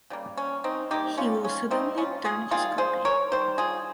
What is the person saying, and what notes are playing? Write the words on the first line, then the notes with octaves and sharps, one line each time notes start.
He will suddenly turn his copy.
C#3 G3 A#3
C#4
C4 D#4
C3 G3 A#3 D#4 G4
C#4 F4
C#4
C3 G3 A#3 C4 D#4
C#4 F4
F4 G#4
D#3 G3 A#3 F4 G#4
G#4 C5
A#4 C#5
D#3 G3 C5
F4 G#4